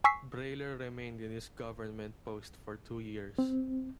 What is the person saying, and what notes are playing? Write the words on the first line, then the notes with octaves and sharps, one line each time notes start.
Brailer remained in his government post for two years.
G#5 C#6 E6 B6 C7
C4